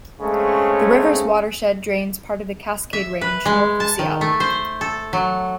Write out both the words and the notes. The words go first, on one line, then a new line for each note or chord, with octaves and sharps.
The river's watershed drains part of the Cascade Range north of Seattle.
C#3 G#3 A3 C4 C#4
E5
B4
G#3
A5
D#3
A3
C5
A4
F#3